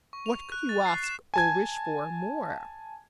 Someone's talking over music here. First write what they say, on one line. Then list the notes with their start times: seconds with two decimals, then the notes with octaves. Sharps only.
What could you ask, or wish for, more?
0.13 C#6
0.26 F7
0.52 F#6
0.69 A6
0.86 C7
1.04 E7
1.34 G#5 A5 G#6